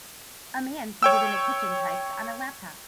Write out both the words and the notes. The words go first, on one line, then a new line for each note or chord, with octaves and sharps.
A man seated in a kitchen types on a laptop.
C#5 G5 E6